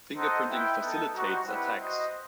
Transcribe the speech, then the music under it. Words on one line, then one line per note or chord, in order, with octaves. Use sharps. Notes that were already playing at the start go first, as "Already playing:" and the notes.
Fingerprinting facilitates attacks.
D#4 A4 C5 D#5 F#5
E4 B4 E5 G5
B3 D#4 A4
G3 D#4 F#4 C5
G3 C4 E4 B4 F#5
F#4 C5 D#5